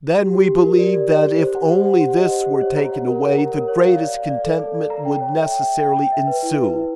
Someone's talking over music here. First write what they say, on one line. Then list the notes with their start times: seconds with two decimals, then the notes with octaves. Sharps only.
Then we believe that if only this were taken away, the greatest contentment would necessarily ensue.
0.18 G4
0.33 G4
0.48 G4
0.64 A#4
0.78 D5
0.94 D5
1.09 D5
1.24 G4
1.39 C5
1.55 F#5
1.70 G4
1.85 F#5
2.01 G4
2.16 D#5
2.31 C5
2.47 G4
2.62 C#5
2.76 A#5
2.92 F#5
3.07 A#4
3.23 C#5
3.38 A#5
3.53 A#4
3.68 C#5
3.83 F5
3.99 D5
4.14 F5
4.30 D5
4.44 A4
4.59 A4
4.74 D5
4.90 A#5
5.05 G5
5.21 C#5
5.36 E5
5.51 G5
5.66 E5
5.82 G5
5.97 G5
6.12 E5
6.27 B4
6.43 E4
6.58 B4
6.73 E4